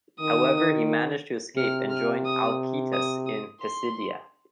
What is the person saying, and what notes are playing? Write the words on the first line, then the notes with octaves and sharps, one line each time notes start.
However, he managed to escape and join Alcetas in Pisidia.
D#3 D#6
C3 F6
F6
D#6
D#6
D#6
C6